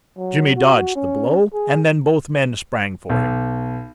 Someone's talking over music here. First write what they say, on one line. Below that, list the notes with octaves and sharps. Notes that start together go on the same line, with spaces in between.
Jimmy dodged the blow and then both men sprang for him.
F#3
F#4
C#4
G#4
B1